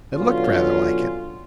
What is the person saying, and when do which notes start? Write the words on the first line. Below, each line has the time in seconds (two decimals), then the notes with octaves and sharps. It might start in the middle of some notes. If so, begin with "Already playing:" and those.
It looked rather like it.
0.14 B2 D3 F#3 C#4 F4